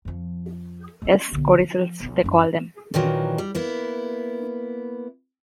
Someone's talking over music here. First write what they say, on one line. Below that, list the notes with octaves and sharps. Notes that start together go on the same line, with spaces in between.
Yes; 'codicils,' they call them.
F2 F3
G#3 C#4
B1 D3
F3
B1 F3
F#2 D#4
A#2 D#3 E3 F#3
G3
A#3 B3 E4